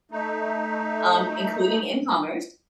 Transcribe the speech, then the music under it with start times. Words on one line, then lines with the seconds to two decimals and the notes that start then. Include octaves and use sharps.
um, including in commerce
0.12 A3 D#4